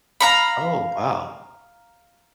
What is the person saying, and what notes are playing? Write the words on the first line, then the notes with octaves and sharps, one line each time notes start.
Oh, wow.
F5 A#5 B5